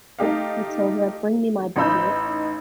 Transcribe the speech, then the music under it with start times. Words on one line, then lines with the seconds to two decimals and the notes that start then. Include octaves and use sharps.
Matilda, bring me my bonnet.
0.19 A3 D#4 G4 F5
1.76 A1 C#4 D#4 B5 E6 G6